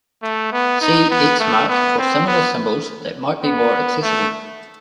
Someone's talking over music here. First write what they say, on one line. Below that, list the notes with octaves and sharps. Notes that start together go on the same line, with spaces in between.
See X mark for similar symbols that might be more accessible.
A3
B3
D#4
B3
A3
B3
C4
B3
B3
A3